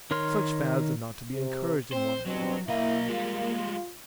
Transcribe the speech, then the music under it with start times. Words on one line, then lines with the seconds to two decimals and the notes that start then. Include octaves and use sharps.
Such fads are not to be encouraged in one's youth.
0.11 D#3 A#4 C#5 C6 F6
1.32 C3
1.92 C4 C5
2.26 G2 B2 F#3 C4
2.68 B1 A#3 E4 D#5
3.08 G3 G#3 F4